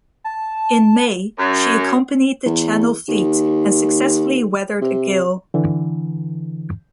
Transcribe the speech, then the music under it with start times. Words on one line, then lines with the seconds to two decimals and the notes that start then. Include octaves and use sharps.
In May, she accompanied the Channel fleet and successfully weathered a gale.
0.24 A5
1.38 F#2
2.46 E2
3.08 D#2
4.82 C3
5.54 D3 E3